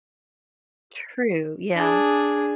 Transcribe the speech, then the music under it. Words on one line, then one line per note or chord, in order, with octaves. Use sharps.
True, yeah.
D4 G#4